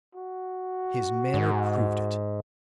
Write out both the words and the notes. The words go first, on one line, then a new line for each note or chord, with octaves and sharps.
His manner proved it.
F#4
G#2